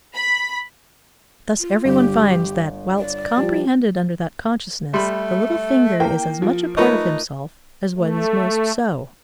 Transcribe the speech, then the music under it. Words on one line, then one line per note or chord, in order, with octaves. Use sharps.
Thus every one finds that, whilst comprehended under that consciousness, the little finger is as much a part of himself as what is most so.
B5
F4
G1 G4
D5
F3 G3
G3 A3 B5 C6
A#3 E4 G5 A#5
F3
A3 D#4 F4 A#4 B4 C#5 C#6
A3